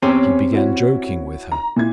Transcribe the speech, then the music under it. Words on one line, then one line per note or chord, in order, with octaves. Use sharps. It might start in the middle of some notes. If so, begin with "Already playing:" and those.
He began joking with her.
E2 C4 C#4 G4 C#5
E4 F#4 C#5
A#5
A#2 E4 G#6